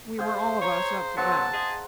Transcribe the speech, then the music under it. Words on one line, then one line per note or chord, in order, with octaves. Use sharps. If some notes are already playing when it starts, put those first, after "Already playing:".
We were all of us up to that.
G#4 C5 F5 G5
C#5 G#5 A#5
F#3 B3 F#4 C5 F#5 A5 E6
G#4 D#5 G#5